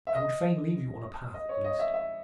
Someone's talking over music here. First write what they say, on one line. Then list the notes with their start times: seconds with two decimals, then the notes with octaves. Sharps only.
I would fain leave you on a path, at least.
0.07 E5
0.15 D#5
1.34 D#5
1.49 C#5
1.64 D#5
1.79 E5
1.94 E5